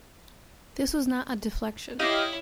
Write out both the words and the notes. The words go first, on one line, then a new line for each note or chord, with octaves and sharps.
This was not a deflection.
E4 G4 C#5 D#5 F5